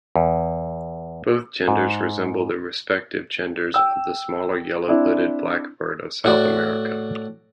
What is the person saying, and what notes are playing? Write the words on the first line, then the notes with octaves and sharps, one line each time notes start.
Both genders resemble the respective genders of the smaller yellow-hooded blackbird of South America.
E2
G#2
G5 E6
C4 D4 E4
A2 F#4 D5